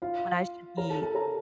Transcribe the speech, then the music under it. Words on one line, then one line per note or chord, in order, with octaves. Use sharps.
when I should be,
F4 F5
A#4 A#5
A4 A5
A4 A5
A#4 A#5